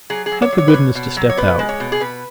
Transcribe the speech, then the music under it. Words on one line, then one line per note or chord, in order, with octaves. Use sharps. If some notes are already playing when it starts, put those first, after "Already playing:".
'Have the goodness to step out.'
F#3 G#4
G#4
F#3
C#5
F#3
C#5
B4
B2 C#5
B2
F#3
C#5
B2 B4
G#3
C#5
B2
G#4
B2 B4